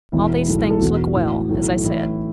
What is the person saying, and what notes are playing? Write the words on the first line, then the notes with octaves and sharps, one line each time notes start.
All these things look well, as I said.
E1 E2 E3 E4
B1 A2 E3
A4
E1 E2 B2 F#4
A1 A2 E3
B1 A2 E3
A1 A2 E3 E4